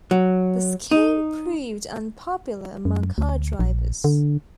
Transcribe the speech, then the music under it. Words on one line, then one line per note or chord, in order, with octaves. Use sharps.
The scheme proved unpopular among car drivers.
F#3
D#4
F#2
D2
A#1
D3